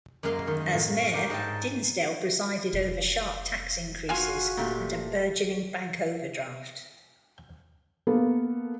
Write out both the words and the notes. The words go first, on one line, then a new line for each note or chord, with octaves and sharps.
As mayor, Dinsdale presided over sharp tax increases and a burgeoning bank overdraft.
F#2 G#3 A#3 F5 C6
D#3
A2
C#4
G4 A#4
G#2 D#5 G5 A5
F1
F4 F#4 G#5 F6
A#2 A3 G4
A#3 B3 A4